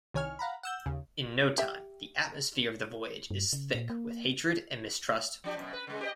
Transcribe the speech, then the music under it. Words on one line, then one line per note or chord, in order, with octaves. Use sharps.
In no time, the atmosphere of the voyage is thick with hatred and mistrust.
C2 D#3 C#5 G#5 F6
F5 F#5 A#5 B5
F#5 E6 G6
D#2 C#3
G4 E5
G2
C#3
A#2
A#3
F3 D4 G4
F#2 B2
B4
C#3 G#3
G4 C5 D#5